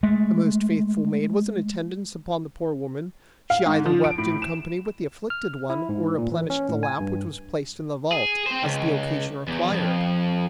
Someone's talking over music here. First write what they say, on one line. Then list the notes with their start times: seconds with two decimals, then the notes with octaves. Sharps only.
A most faithful maid was in attendance upon the poor woman; she either wept in company with the afflicted one or replenished the lamp which was placed in the vault, as the occasion required.
0.03 G#3 A3
3.50 F5
3.66 G#2
3.86 F3
4.04 D7
4.18 A2
4.42 E7
5.30 F6
5.70 E4
5.89 G#2
6.18 A#2
6.32 E3
6.50 C#4
6.69 A2
6.83 G#5
7.00 G2
8.12 G#4
8.46 C4 C5
8.64 C#2
9.48 E2
9.72 F2